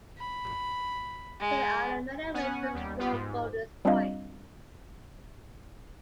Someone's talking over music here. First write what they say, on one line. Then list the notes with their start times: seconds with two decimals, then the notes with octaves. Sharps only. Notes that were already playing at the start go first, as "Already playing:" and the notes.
There are many ways to score bonus points.
0.18 B5
1.40 G#3
2.34 B3 C#4 F#5 G#5
2.74 D#2 G3
2.99 B3 F4 G4
3.12 G#2
3.85 G3 C4 D4 F4 D#5 F5